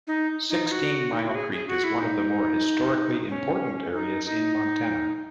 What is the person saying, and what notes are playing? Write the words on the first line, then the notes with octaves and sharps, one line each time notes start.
Sixteen-Mile Creek is one of the more historically important areas in Montana.
D#4
D#4
F#4
D#4
E4
F#4
G#4
G#4
F#4
E4
D#4
C#4
D#4
D#4